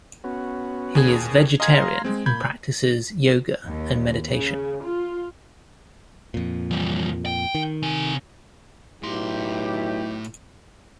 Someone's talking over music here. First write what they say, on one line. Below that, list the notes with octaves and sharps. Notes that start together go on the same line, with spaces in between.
He is vegetarian and practices yoga and meditation.
B3 C#4 F#4
D#2 G#4 G#6
D#5 F5 G#5 A#5 C6 G#6
G#3 C4
A#2 B5 G6 G#6
D#2
C#3
F4
F2 A#2
E3 G3
G5
D#3
C3 G#5
B1 A2 E4 G4 C6